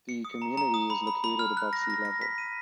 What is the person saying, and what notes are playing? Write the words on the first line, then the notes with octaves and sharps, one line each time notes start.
The community is located above sea-level.
C#7
D#6
A#5
A#5
D#6
B5
B5
B5
F6
F#6
A#6
A#6
A#6
B6
D#7